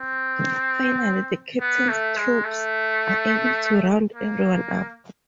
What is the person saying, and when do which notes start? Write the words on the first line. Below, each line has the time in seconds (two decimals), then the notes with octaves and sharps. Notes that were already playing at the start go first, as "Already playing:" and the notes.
Finally, the Captain's troops are able to round everyone up.
Already playing: C4
1.61 B3
1.89 A3
2.17 G#3
2.44 A3
4.15 A#3